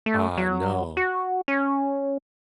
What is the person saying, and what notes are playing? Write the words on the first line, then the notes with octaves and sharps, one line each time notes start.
Ah, no.
A3
F#3
F#4
C#4